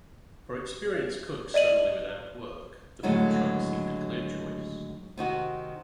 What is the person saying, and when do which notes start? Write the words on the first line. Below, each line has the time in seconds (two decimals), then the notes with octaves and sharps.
For experienced cooks suddenly without work, the food truck seemed a clear choice.
1.54 D5 D#5 D#7 F#7
3.03 A2 D3 D#3 F#3 G#3 A#3
5.17 C3 D#3 F#4